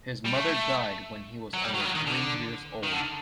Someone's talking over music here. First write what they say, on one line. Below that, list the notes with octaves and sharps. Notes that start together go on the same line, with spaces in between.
His mother died when he was only three years old.
G3
A3
F#3
G3
F#3
D#3
F#3
D#3
D3
D#3
D3